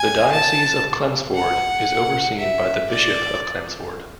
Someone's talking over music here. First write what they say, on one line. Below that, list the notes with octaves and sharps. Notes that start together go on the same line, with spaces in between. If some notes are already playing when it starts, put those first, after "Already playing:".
The diocese of Chelmsford is overseen by the Bishop of Chelmsford.
Already playing: G#5
A5
F#5
E5
D5